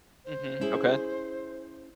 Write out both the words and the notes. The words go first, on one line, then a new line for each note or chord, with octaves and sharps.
Mhm. Okay.
C5
C#4 E4 G#4